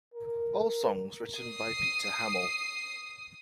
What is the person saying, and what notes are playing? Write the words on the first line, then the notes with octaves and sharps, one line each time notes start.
All songs written by Peter Hammill.
A#4
D#6 C7